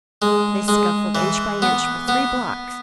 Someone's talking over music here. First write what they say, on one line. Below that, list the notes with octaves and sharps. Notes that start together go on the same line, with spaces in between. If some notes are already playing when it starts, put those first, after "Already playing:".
They scuffled inch by inch for three blocks.
G#3
G#3
E3
B3
B3